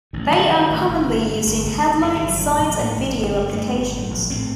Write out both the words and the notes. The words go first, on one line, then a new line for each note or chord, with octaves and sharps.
They are commonly used in headlines, signs, and video applications.
A1 D#3
G3
D3
F#3
G2 D#3
A1
G1
D3
G2
G1
G1 D3
D3
G2 D3
D#3
G1
F#3
A2
A#1
A2 A3
A#1
G1
D3
G2 A3
G1
A2
A#1
A2 C4